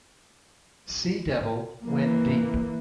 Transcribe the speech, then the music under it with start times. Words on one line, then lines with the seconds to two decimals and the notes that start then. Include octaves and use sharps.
"Sea Devil" went deep.
1.84 E3 A#3